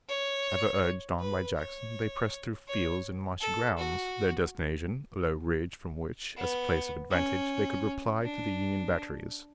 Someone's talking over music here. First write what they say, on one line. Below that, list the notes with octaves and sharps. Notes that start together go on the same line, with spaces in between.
Ever urged on by Jackson, they pressed through fields and marshy ground, their destination a low ridge from which, as a place of advantage, they could reply to the Union batteries.
C#5
B4
C#5
C#5
A4
F#4
B3
C#4
D4